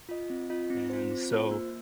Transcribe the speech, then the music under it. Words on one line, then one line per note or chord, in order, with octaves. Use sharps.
and so
F4 D#5
C4
F4 D#5
C4
F4 C5
C4
F4 C5
A#3